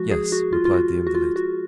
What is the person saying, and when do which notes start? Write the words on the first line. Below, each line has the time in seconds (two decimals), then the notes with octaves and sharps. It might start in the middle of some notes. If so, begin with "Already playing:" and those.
"Yes," replied the invalid.
Already playing: F3 G#3 F#4
0.11 G#4
0.32 F#4
0.53 F4
0.65 F4
0.74 F#4
1.07 F#4
1.15 F4
1.36 F#4